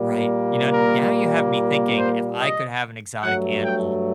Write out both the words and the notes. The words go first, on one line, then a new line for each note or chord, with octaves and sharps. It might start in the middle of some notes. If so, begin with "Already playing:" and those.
Right. You know now you have me thinking, "If I could have an exotic animal,
Already playing: A#2 G3 A#3
A#4
C5
D#5
G2 F#3 A3 F#5
G5